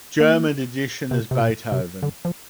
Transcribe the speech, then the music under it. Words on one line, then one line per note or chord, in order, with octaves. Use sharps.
German edition as Beethoven.
A#3
C3
C3
A#2
C3
D3
F3